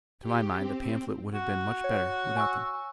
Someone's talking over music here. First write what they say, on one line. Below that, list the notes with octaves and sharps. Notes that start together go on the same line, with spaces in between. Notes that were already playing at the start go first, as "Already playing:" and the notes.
To my mind, the pamphlet would have been much better without them.
G4
C4
F#4
C#5
G#5 C#6 E6